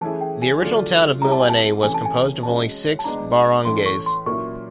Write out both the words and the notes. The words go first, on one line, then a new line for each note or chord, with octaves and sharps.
The original town of Mulanay was composed of only six barangays.
E3 A3 C#4 E4 G#4 A5
G5
G#5
D3 F#3 A3 D4 F4
G3 C4 E4 G4 A#5
A5
G#5
A5
C3 E3 A3 C#4 G#5
A5
G#5
G#3 C#4 F#4 A5
A5
G#3 B3 D4 A#5
A2 E3 A3 C#4 C6
C#6
C6
A#2 F#3 A#3 C#4 E4 C#6